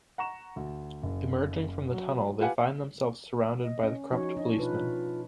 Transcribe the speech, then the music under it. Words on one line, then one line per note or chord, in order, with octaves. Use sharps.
Emerging from the tunnel, they find themselves surrounded by the corrupt policemen.
F#5 A#5 C#6 E7
D2
F#1
F#3
F4 G4 B4 F5 F#5 G#5
D#5
C#4
F3 D#4 F#4 C#5
D4 D#5
B2 D#4 F4 B4